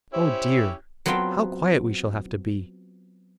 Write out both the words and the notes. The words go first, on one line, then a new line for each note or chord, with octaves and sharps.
Oh dear, how quiet we shall have to be!
C#4 E4 G4 C5
F#3 B3 C4 F4 G5 A5